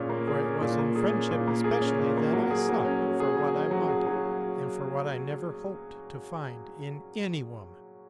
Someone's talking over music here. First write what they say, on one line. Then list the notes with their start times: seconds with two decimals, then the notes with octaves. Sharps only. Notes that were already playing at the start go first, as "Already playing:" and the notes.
For it was in friendship especially that I sought for what I wanted, and for what I never hoped to find in any woman.
Already playing: A#2 C#4 G#4
0.09 A#3
0.27 G#4
0.45 C#4
0.61 A#2
0.79 A#3
0.95 G#4
1.13 C#4
1.31 A#2
1.47 A#3
1.64 G#4
1.82 C#4
1.99 A#2
2.17 A#3
2.33 F#3
2.51 G#4
2.69 F#3
2.85 C#4
3.02 F#3
3.20 G#4
3.37 F#3
3.54 C#4
3.71 F#3
3.88 G#4
4.07 F#3